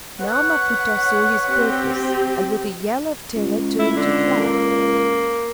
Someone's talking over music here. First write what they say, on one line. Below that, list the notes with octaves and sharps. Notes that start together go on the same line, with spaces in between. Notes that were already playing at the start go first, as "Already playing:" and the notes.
Now Maputa saw his purpose and with a yell of terror turned to fly.
B4 C#5 F#5
C4 G4
C#2
E4
D3
A#3